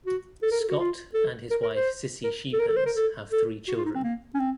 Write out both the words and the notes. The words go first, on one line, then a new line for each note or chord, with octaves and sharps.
Scott and his wife Cissy Schepens have three children.
F#4
A4
A#4
A4
F#4
F4
A4
A#4
A#4
C5
A#4
A4
A#4
A4
C5
A#4
A4
A4
F#4
F4
D#4
C4
A#3
C#4
C4